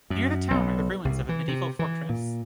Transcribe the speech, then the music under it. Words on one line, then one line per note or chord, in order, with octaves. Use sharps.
Near the town are the ruins of a medieval fortress.
F#2
B1
C2
E3
C3
E3
A#2